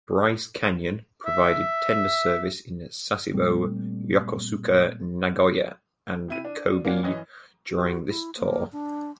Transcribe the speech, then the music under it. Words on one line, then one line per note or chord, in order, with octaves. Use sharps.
"Bryce Canyon" provided tender service in Sasebo, Yokosuka, Nagoya, and Kobe during this tour.
E5
A#2 G3 A3 C4
C3 E4 D#7
D4
A#3 C#4 D4 F4 F#4
F#2 E3 C#4 D#5
F#4
E4
A#3
D4